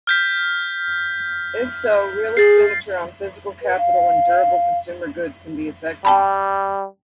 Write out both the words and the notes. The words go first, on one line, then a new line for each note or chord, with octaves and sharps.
If so, real expenditure on physical capital and durable consumer goods can be affected.
F6 G6 B6
G#4 A6 C7
B4
F5
G3 G5 A5 B5